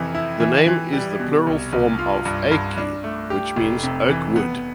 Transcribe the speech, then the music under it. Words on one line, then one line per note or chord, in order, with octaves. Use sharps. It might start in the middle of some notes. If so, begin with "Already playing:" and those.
The name is the plural form of "eiki" which means "oak wood".
Already playing: F2 C3 E3
E4
E3
E3
G3
B2
C2
C2
F4
G2
G2
D4
A3
G4
F1
C3
E3
B3